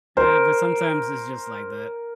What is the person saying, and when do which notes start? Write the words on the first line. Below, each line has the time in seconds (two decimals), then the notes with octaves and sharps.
Yeah, but sometimes it's just like that.
0.17 A#4 C5